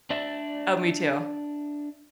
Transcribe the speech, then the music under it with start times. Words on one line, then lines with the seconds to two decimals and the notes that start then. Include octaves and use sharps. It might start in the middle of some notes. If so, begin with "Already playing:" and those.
Oh, me too.
0.10 D4 D5 E5